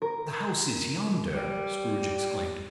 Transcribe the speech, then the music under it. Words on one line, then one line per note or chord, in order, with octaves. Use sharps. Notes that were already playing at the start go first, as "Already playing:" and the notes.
"The house is yonder," Scrooge exclaimed.
A#4
G3